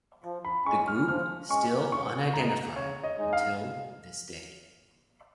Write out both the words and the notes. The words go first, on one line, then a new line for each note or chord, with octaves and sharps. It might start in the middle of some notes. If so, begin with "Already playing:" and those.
The group still unidentified until this day.
F3
B5
G#3 C#4 C#6
F6
F3 F6
G#3 C#4 C#6
C#3 C#6
G#3 D#4 A#5
C#3 C#5
D#5
G#3 D#4
F5